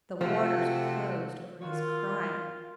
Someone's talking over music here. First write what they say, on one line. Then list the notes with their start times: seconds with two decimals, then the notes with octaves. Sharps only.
The waters closed over his cry.
0.21 C3 F3 A3 F#4
1.61 D#3 F4 F#4 C#5